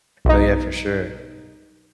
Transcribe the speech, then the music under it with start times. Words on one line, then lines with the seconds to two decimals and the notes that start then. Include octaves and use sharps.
No, yeah, for sure.
0.25 B1 D#4